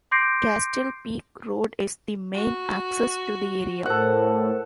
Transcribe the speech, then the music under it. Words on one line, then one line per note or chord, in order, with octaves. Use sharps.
Castle Peak Road is the main access to the area.
C6 D6 G6 A#6 C7 D7
F#4
A2 A4 A#4 C5 F#5